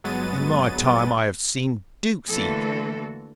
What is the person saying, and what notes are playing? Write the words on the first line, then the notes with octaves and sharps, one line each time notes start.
In my time I have seen dukes eat.
G1 F#3 G#3 B3 A6 D#7
D3 E3 A3 A#3 F#4 A4